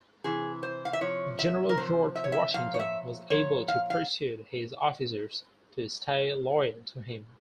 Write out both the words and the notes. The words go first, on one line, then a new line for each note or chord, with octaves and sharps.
General George Washington was able to persuade his officers to stay loyal to him.
C3 E3 G#4
C5
F5
E5
C3 F3 C#5
E5
A#4
C3 F3 C5
E5
C#5
E5
A#2 F3 F5
C#5
E5
A#2 F3 C#5
F5
F5